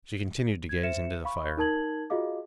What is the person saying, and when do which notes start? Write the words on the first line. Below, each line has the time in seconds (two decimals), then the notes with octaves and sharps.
She continued to gaze into the fire.
0.69 G#6
0.84 C5 E5 C#7 E7
1.25 F5 B5 C#6
1.57 D#4 A#4 A5 G#6 F#7
2.10 F4 F#4 G#4 D#5 F5 D6